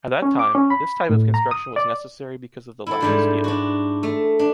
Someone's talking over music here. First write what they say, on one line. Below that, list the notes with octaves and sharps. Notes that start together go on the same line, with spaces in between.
At that time, this type of construction was necessary because of the lack of steel.
C#4
D6
C#4
B5
A2
A#5
D#6
D5
E4 A4
G#2 G3 D4
D4 F#4
A3
D4